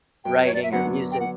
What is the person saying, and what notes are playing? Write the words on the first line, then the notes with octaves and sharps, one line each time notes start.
writing, or music?
F#2 G5
C#5
D5
E5
D3 F#3 B3 D4 F#5
G5
F#5